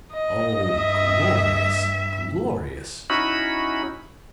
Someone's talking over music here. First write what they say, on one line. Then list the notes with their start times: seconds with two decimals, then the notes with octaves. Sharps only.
Oh, glorious! Glorious!
0.14 D#5
0.72 G2 E5
3.10 C#4 D#4 E4 F#4 B5